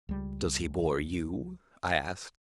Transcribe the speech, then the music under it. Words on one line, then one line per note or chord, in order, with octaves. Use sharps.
"Does he bore you?" I asked.
C#2 G3